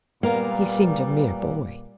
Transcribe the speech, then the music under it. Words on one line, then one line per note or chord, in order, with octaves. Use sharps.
He seemed a mere boy.
A#2 G3 A#3 B3 A#4 F5